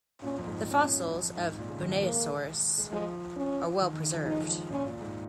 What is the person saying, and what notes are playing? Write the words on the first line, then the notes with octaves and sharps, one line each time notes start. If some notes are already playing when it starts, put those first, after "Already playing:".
The fossils of "Unaysaurus" are well preserved.
A#2 C#4
F2
G#2
C#4
F2
G#2
A#2
C#3
D#3
F3
G#3 A#3
G#3
F3 G#3
C#4
D#3
D#3
C#3
F3
G#3 D#4
D#3
F3
A#2 C#4
A#2
G#2